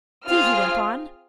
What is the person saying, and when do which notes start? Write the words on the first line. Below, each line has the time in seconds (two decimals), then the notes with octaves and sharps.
"See!" he went on.
0.24 C4 F4 G#4 F6